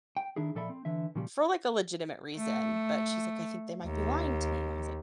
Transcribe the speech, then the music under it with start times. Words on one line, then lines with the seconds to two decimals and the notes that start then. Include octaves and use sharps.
For, like, a legitimate reason, but she's, like, "I think they might be lying to me," and I was, like,
0.17 G5
0.36 D#3 D4 E4 G#4
0.55 A#2 F3 A4 D5 E5 B5
0.69 C4
0.85 D3 E3 E5
1.15 A#2 C#3 F3 G3
2.37 A3
3.85 D#2